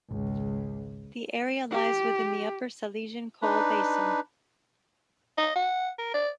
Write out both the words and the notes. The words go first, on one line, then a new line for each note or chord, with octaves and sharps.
The area lies within the Upper Silesian Coal Basin.
G#1 C#2
G4
D4 D#4 B4
D#5
F#5
A#4
D5